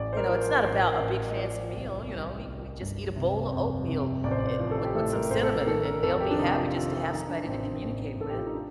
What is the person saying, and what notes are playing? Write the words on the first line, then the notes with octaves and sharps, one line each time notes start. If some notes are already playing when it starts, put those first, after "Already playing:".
you know, it's not about a big fancy meal, you know, e we just eat a bowl of oatmeal, eh, with with some cinnamon and and they'll be happy just to have somebody to communicate with.
Already playing: A1 D5
C5
A#4
F3 A#4
C5
A#4
A1 C5
A1
D#5
F3 D5
C2
C2
C2
G1
C3
F2
C3
A1 D5
C5
D5
C5
F3
A4
G4
A2 A4
A#4
A1 C5
A4
A#4
D#3 A4
A#4
F2 A4
G4
D4
C3 D#4
G4
F4
D#3 G4
F4
F3 D#4
D4
A1 C4
D4
A1
A1 A4
G4
F4
D#4
D4